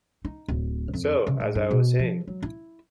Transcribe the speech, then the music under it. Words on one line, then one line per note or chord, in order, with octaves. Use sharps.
So, as I was saying.
D#4
D1
F2
C#3
A2
G2
B2
F3
F#3
E4